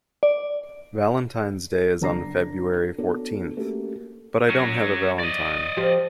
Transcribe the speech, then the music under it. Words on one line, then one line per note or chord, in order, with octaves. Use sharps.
Valentine's Day is on February fourteenth, but I don't have a valentine.
D5
F#1 D4 A#5 A#6 C7
B3 D4 F#4 A4 C#5
A3 A#3 C#4 F#4 G4 A#4
F#3 C#4
D5 D#5
F3 G4 C5